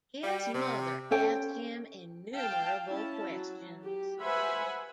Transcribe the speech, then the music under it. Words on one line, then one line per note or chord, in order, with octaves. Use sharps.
His mother asked him innumerable questions.
G3
C3
C#4 A4 C5 G5
F5 G5 A5
C#4 E4 A5
F#3
G4
B4 C5 E5 F#5 G#5 B5